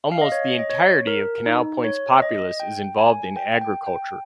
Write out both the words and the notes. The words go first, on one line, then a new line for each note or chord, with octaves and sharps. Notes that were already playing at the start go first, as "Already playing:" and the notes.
Almost the entirety of Canal Point's populace is involved in agriculture.
F5
D#5
C#5
D#5
C#5
A#4
D#4
C#5
D#5
G5
G#5
G5
G5
G5